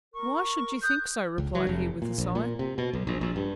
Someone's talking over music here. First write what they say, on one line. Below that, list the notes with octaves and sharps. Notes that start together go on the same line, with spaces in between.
"Why should you think so!" replied he, with a sigh.
A#4 C#6
D#6 F#6 G6
C#2
F#3
F1
A#2
A#1
A#2
C3
B2
B1
A#1
A#1
G2